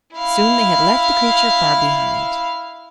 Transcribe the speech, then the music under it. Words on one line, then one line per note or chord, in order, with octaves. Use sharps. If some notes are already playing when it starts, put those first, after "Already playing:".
Soon they had left the creature far behind.
E4 F5